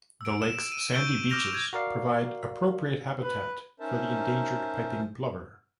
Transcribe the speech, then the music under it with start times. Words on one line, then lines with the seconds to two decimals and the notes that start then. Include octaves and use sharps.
The lake's sandy beaches provide appropriate habitat for the endangered piping plover.
0.21 E6 D7
0.42 E7
0.72 D#7
0.93 C#6 E6 G6 D7 F#7 G7
1.29 D6 F6 G6 A#6 E7 F7
1.53 G6 G#6
1.73 F#4 A#4 D5 F5
3.23 B4
3.80 C#4 D#4 A#4 C5 E5 A5